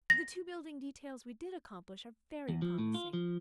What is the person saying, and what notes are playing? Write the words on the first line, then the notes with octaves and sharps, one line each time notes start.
The two building details we did accomplish are very promising.
A#6
E2
F3
A2
F4
F3